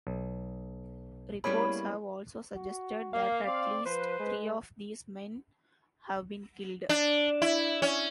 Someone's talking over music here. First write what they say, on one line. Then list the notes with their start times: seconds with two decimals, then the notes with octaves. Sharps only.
Reports have also suggested that at least three of these men have been killed.
0.07 B1
1.44 G3 A#3 B3 C#4 E4 G#4 C#5 B5
2.55 F#4
3.13 A#3 F5
3.46 C4 D5
3.86 F3 B4 C5
4.19 G#3
6.89 D4
7.42 E4
7.82 C#4